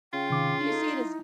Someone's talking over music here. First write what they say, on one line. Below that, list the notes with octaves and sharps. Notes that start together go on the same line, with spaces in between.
Do you see it as t
C#3 F4 G5
C3 D#3 D6
D#4 A4
E4